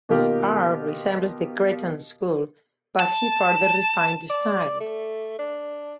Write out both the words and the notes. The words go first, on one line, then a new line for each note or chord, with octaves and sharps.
His art resembles the Cretan School but he further refined the style.
B2 D#3 A#3 F4 G4 A#4
A5
D5
A3
D4